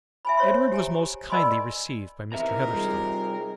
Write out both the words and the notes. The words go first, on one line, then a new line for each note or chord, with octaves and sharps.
Edward was most kindly received by Mr. Heatherstone.
E5 G#5 B5
C5 C#5 E5 C6
G4 G#5 A#5
A#4 D5 D#5 G#5 B5 C6
E2 C3 D#4 A#4 E5 A#5
G3 F4 G#4